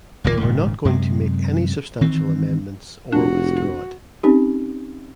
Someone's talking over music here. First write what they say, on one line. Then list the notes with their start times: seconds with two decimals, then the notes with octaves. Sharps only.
They were not going to make any substantial amendments or withdraw it.
0.24 F#1 D#2 B2 A#3
0.40 D#1 G#2 C#3
0.85 F#2 C3 G#3
2.01 D#3 E3 C4
3.12 F1 D4 F#4
4.23 C4 C#4 D#4 G4